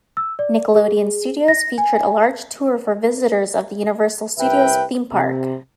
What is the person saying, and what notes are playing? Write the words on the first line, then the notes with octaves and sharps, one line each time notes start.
Nickelodeon Studios featured a large tour for visitors of the Universal Studios theme park.
E6
D5
G#4
A#6
G#5
C2 B4 E5 G5
C3